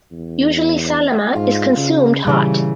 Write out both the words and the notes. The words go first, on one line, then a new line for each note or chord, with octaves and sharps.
Usually salama is consumed hot.
E2
G#2 F4
C#3
A#2 C#3 E3 G3